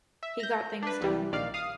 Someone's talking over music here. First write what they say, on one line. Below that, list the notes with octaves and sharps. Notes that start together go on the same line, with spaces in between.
He got things done.
E5
G6 A#6
D4 B4
C2 E3 G3
A#1 D#3 D5 F5
F5 D#6